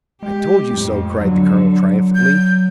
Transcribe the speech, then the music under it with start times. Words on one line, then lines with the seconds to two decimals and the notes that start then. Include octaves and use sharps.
"I told you so," cried the colonel, triumphantly.
0.23 G#3 G4
0.73 F2 A2
1.21 D3 F#3
2.15 G6